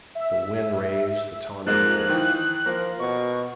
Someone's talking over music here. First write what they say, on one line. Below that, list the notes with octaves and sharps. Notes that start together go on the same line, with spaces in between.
The wind raised the tawny beard.
E5
G#2 F3 G#3 A#3 F#6
D#3 E3
F3 A#3
B2 C#6